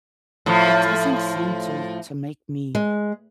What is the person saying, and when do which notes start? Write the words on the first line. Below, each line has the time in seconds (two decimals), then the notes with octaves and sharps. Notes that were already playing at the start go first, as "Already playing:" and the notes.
it doesn't seem to to make me
0.46 A2 F3
2.75 G#3